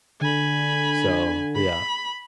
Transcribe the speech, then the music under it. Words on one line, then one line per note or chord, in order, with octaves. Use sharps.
so yeah.
D3 G#5 B5
B5